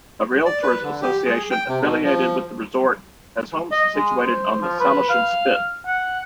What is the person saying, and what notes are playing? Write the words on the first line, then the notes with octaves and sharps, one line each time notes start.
A realtor's association affiliated with the resort has homes situated on the Salishan Spit.
D5
B4
D3
G4
G#4
G5
C3
B2
F3
D#5
G#3
C5
F3
B4
F5
F#5